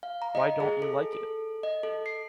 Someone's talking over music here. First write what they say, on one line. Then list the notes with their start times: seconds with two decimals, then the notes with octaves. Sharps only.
Why don’t you like it?
0.03 F5
0.22 A#5
0.35 D#5
0.60 G#4
0.82 A4
1.13 A4
1.63 D#5
1.83 A4
2.06 C7